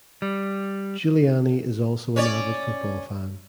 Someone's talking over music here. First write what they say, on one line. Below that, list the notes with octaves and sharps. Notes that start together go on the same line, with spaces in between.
Giuliani is also an avid football fan.
G3
C#4 C#5 D5